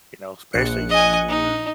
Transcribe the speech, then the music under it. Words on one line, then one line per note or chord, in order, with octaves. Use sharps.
You know, especially s
A#1 F#6 C#7
D#5 G#5
D#4